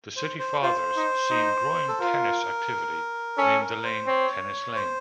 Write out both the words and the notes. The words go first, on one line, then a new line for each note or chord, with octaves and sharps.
The city fathers, seeing growing tennis activity, named the lane Tennis Lane.
C5
C5
F4 C5
D#4
D#4
A4
F4 A#4
C#4 A4
A#4
C5
C4 C#5
C5